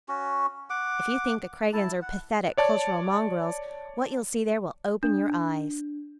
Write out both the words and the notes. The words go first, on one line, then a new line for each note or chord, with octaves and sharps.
If you think the Kragans are 'pathetic cultural mongrels,' what you'll see there will open your eyes.
C#4 F#4
F#5 D6
E4 A5
F#5
C#5 D5 A5
D4